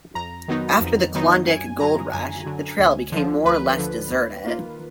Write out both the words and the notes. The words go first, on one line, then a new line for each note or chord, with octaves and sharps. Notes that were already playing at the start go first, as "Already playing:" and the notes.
After the Klondike Gold Rush, the trail became more or less deserted.
F2 A#5
D#3 F#3 B3 D#4
F2
D#3 F#3 B3 D#4
F#2 G#5
D3 F#3 A#5
F#2 G#5
D3 F#3
D2
D3 F3
D2 B4
D3 F3
D#2
D#3 A#3 F4